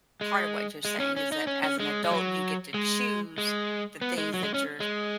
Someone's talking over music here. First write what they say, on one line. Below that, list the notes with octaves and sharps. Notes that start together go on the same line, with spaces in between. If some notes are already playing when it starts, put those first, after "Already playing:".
part of what you're saying is that as an adult, you get to choose the things that you're j
G#3
G#3
C#4
C#4
D#4
C#4
C#4
G#3
G#3
F#3
G#3
G#3
B3
G#3
F#3
G#3
C#4
G#3